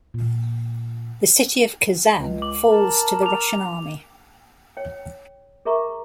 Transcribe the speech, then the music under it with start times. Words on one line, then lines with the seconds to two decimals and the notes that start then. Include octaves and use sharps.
The city of Kazan falls to the Russian army.
0.14 A#2
2.14 C#2
2.42 D6 F#7
2.70 A#4 A5
3.22 D6 F7
4.77 C#5 G5
5.65 G#4 A#4 E5 A#5 C#6